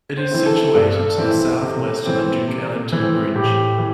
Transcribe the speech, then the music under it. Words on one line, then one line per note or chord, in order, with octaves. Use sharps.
It is situated to the southwest of the Duke Ellington Bridge.
C5
E3 C4 E4
A4
G2 A4
E3 C4 E4
C3
E3 C4
C3
E3 C4
A2 G4
E3